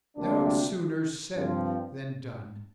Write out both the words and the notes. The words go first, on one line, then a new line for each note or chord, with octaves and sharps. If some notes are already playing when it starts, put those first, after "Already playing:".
No sooner said than done.
D2 C3 A#3 D4
G2 F3 C4